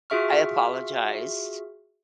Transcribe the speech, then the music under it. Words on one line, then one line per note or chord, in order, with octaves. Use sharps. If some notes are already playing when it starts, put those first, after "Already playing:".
I apologized
F4 F#4 G#4 E5 C#6 F6